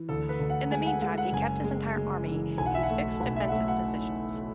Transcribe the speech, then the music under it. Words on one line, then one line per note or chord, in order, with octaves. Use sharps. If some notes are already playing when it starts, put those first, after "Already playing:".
In the meantime, he kept his entire army in fixed defensive positions.
Already playing: E3
D2 A4
B4
D2
F#5
G#3 G#5
F#5
G#3 F#5
F#5
F#1 G#5
G#3
G#3
E3
B1 G#5
F#5
E5
F#5
A3
B1 F#5
E5
F#5
A3 E5
F#5